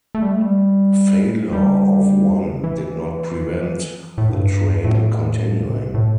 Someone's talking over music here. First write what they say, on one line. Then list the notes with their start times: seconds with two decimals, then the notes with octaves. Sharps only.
Failure of one did not prevent the train continuing.
0.15 A3
0.22 G3
0.31 A3
0.42 G3
1.53 G3
2.64 E3
4.18 A2
4.30 G2
4.84 A2
5.94 A2